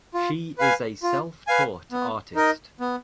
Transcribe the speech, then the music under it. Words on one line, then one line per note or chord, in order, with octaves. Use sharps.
She is a self-taught artist.
F4
B4 F5 G#5
F4
B4 F5 G#5
B3
D#4 A#4 D#5
B3